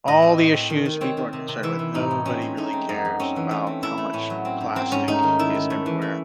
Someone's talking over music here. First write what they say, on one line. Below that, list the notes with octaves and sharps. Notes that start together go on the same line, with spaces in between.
all the issues people are concerned with, nobody really cares about how much plastic is everywhere,
A2 D#5
C4
A2
C4
D#3
D#3
C4 C#5
D#3
C3
C3
E3 E4
E3
A2 D#4
A2
C4 C#4
G#3
A3 D#4
C4
F#2 D#4
F#2
C4 C#4
E3
A3 C#4
C4
A3 E4
A3
A2 C#4
F#3
C4
G#2
F#3 C4
G#2 C#4
A3 D#4
D#3
D#3 E4
D#3
A3
E3
A3